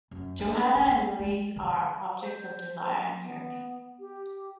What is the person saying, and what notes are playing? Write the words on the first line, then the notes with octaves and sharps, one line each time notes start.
Johanna and Louise are objects of desire and yearning.
F#2
D4
D4
E4
G#3
D#3
C5
B3
G4